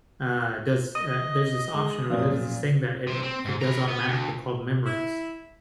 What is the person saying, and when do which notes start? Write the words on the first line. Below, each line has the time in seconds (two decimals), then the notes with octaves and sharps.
uh, does, uh There's this option, or there's this thing that it it does automatically called Memories.
0.95 D#5 D#6
1.74 G#3
2.10 F#2 A#2 F3
3.07 C3
3.23 C4
3.45 G#2
3.61 B4 A#5
3.88 B3
4.08 D2
4.85 E4